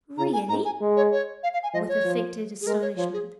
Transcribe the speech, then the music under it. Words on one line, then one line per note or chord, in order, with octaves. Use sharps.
"Really!" with affected astonishment.
C#3 A#5
G#5
G#2 A#5
G#5
G#3
C#5
C#5
F5
F5
G#5
F3 D#5
C#5
F3
G#4
G#3 A#4
C#5
F3 C#5
G#4